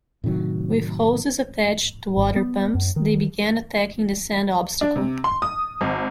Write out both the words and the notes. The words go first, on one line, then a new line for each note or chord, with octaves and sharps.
With hoses attached to water pumps, they began attacking the sand obstacle.
A2 C3 D#3 F#3
G#1
B3
F#2
D#3
D4
C3
C6
D#6
G#1